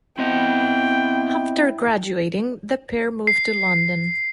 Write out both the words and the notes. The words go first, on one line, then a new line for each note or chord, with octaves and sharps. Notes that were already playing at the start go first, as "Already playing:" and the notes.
After graduating, the pair moved to London.
B3 C4 E4 D#5 G5
C7